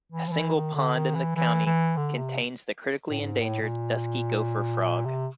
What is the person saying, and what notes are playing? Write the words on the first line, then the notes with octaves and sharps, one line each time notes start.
A single pond in the county contains the critically endangered dusky gopher frog.
E3
F3
E3
D#3
D3
D#3
E3
E3
E3
D3
C3
A2
G#2
A2
A#2
C3